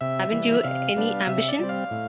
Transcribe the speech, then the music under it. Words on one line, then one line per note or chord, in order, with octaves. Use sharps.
Haven't you any ambition?
C3 E5
E3 G3
C3 F5
G3 B3 D4
C3 E5
D5
G3 C4
F5
A2